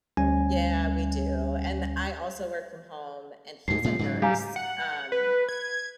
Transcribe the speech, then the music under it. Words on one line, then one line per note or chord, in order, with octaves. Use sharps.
Yeah, we do, and I also work from home, and he's a nurse, um,
D2 G3 C#4 G#5
D2 G#2 C7
A#2 C#3 F3
G#2 C#3 F#3
G3 F5 G#5 A#5
F#5
B4
G#6